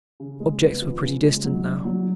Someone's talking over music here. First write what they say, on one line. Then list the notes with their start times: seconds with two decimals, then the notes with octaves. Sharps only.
Objects were pretty distinct now.
0.20 C#3
0.40 G#3
0.61 B3
0.82 F3
1.03 C#3
1.23 G#3
1.44 F#3
1.65 D4
1.85 F#3